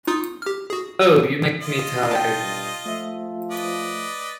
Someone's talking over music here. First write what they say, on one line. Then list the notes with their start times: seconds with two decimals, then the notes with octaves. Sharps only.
Oh, you make me tired.
0.07 D#4 F4 D#6
0.42 G4 F6
0.70 F#4 G#4
1.62 F4 D#5
2.11 B2 G5 A5
2.40 G2
2.85 F3 A3 E5
3.51 B4 D5 D#5